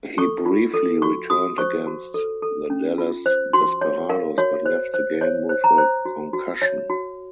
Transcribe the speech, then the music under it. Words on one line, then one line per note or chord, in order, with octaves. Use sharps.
He briefly returned against the Dallas Desperados, but left the game with a concussion.
A4 C#6
F4
A4
F#4 C#6
F#4 D#6
C5 C#6
F#4
A4
A4
C#4
F4
C5
F#4 C6
C#5
A#4 F5
F#4 C#5
C5
C5
C5 C#5
C5
A#5
C5
F#4
F#4
C#5
F#4